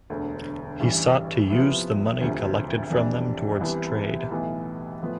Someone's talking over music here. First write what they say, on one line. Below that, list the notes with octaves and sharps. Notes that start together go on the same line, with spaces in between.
He sought to use the money collected from them towards trade.
E1 D2 D3
A1 G2 E3 G3
C3 F3 B3 E4
E1 D2 C3 F3
F2 C3 E3 G3 D4
C2 C3 E3 B3 E4
B1 A2 E3 B3
A2 F3 B3